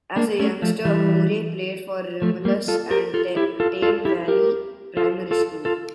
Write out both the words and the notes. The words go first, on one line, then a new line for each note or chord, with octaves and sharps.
As a youngster, Moore played for Romulus and Tame Valley Primary School.
A#3 D4
A3 C#4
F3 A3
E3 G3
F3 A3
G3 A#3
F4 A4
G4 A#4
F4 A4
E4 G4
F4 A4
F4 A4
E4 G4
G4 A#4
F4 A4
F4 A4
F4 A4